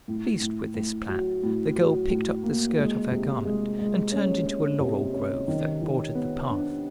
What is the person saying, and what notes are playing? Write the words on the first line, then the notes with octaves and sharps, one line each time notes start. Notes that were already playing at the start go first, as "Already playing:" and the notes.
Pleased with this plan, the girl picked up the skirt of her garment and turned into a laurel grove that bordered the path.
A2
A2
A2
F#3
A2
F#3
A2
A#3
G#3
C3
G#3
G#3
C#4
C#4
C3
C#4
D#3
D#3
B3
D4